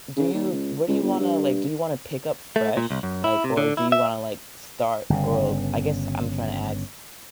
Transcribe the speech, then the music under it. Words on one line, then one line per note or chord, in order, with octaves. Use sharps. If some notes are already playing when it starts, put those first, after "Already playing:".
do you what do you wanna, like, do you wanna pick up fresh, like, or do you wanna, like, start, or I guess I'm trying to ask,
C#3
D#2
C#2
C#2
G1
G2
A3
A#2
C2
F#2
E4
C3
D3
E4
E5
G1 C#3